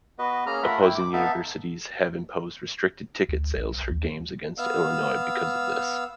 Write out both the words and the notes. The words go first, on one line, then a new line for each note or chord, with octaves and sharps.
Opposing Universities have imposed restricted ticket sales for games against Illinois because of this.
B3 F#4 B4 D#5
A#3 C#4 G#4 A#5 F6
A3 F4 A#4 E5 F#5 B5
E4 G5
D6
B3 D#4 A4 E5 F5 A5
D2
B1
D#2
B3 F5 E6